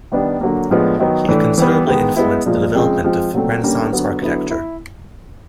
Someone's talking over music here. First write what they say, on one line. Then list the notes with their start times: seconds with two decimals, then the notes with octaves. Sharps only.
He considerably influenced the development of Renaissance architecture.
0.12 D#3 G3 B3 D4
0.41 D3 F#3 A#3
0.70 A2 F3 G#3 B3 D4
0.99 D#3 F#3 B3
1.29 A2 E3 A3 D4
1.58 E3 G3 B3
1.87 D#3 G#3 B3
2.16 G#3 B3 E4
2.46 A#2 F3 G#3
2.75 C#3 F3 G#3 C4
3.04 F3 G#3 C4
3.33 A#2 F#3 A3 C4
3.63 D3 G3 A#3 C#4
3.92 D3 F#3 B3
4.22 D3 F#3 B3 E4
4.51 E4